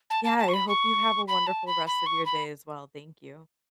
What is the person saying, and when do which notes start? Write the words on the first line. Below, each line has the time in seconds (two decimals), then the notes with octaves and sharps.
Yeah, I hope you have a wonderful rest of your day as well thank you.
0.10 A5
0.24 A5
0.38 A5
0.48 C#6
0.53 B5
0.68 C#6
1.28 B5
1.47 A5
1.67 B5
1.87 B5
2.06 C#6
2.25 B5